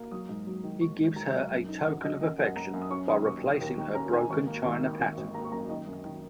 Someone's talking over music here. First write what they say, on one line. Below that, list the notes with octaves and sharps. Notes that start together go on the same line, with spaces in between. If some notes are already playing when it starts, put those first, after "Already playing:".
He gives her a token of affection by replacing her broken china pattern.
Already playing: A#3
F#3 D#6
G#2
F#3
D#3
F#3 C#6
G#2
D#3 A#5
F#3
F#2
D#4
F#2 F#5
F#3 D#5
F#2 D#5
F#2 F#5
F#2 A#5
F#2
D#6
C#4 C#6
D#3 D#6
D#2 C#6
D#2
D#2
D#3
C#4 A#5
D#3 G#5
G#1 C#6
A#3
G#1 C#6
D#3
G#1
G#1
A#3 A#5
C#6
F#2 A#5
D#3 D#5
F#2
D#3